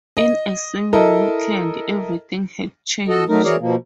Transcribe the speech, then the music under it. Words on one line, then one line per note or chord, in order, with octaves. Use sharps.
In a single weekend everything had changed.
D#5
E4 A4 A#4 D#5
F#4 A4 D#5
F#3 A3 D#4 A#4
E3 F#4 G#4 A#4 C#5 D5
B2 F3 A#3